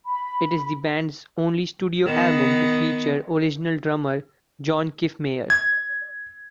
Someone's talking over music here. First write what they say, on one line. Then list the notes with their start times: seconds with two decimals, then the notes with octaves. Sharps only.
It is the band's only studio album to feature original drummer John Kiffmeyer.
0.05 B5
2.06 D#3 B3
5.50 G#6